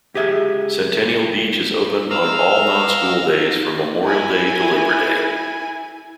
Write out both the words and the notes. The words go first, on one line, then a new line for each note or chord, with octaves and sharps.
Centennial beach is Open on all non-school days from Memorial Day to Labor Day.
C#2 G4 G#4 E5
F5 A#5 E6
E4 G#5